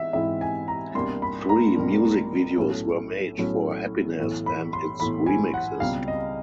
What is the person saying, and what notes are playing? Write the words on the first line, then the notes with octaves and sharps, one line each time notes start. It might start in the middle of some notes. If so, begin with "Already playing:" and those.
Three music videos were made for "Happiness" and its remixes.
Already playing: G#2 E3 C4 E5
G#2 E3 G#3 C4 E4 E5
G#5
A#5
C2 B2 G3 A#3 D4 C6
B5
A#5
C2 B2 G3 A#3 D4
B1 A2 F#3 A3 C#4
B1 A2 F#3 A3 C#4
B1 A2 E3
B5
C6
B1 A2 E3 B5
G#5
F#5
C#2 B2 G3 C4 F5
D#5